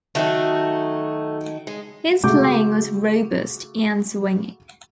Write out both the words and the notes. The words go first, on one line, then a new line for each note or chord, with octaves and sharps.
His playing was robust and swinging.
D#3 F#3 A3 D#4 F#4
G#3
C#3 A3 F#4 D6 G6